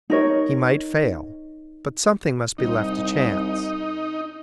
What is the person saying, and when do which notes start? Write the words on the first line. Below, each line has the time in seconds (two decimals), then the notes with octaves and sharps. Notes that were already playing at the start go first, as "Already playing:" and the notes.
He might fail, but something must be left to chance.
0.10 D#4 A#4 C#5
2.58 C2 D#4